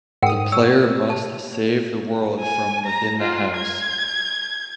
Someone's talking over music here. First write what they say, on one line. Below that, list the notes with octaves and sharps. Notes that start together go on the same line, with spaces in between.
The player must save the world from within the house.
G#2 A#4 F#5 G5 D#6
C#5 E6
A5
G#5
A#5
F4
G#6